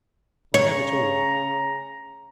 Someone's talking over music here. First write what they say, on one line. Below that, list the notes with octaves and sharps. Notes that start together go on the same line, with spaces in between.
I have it all.
C#3 C#5 A#5